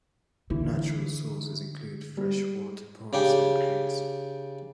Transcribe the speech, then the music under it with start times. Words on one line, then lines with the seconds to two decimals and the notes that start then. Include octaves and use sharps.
Natural sources include freshwater ponds and creeks.
0.50 D3 E3
2.17 G3
3.13 C#3 D4 G4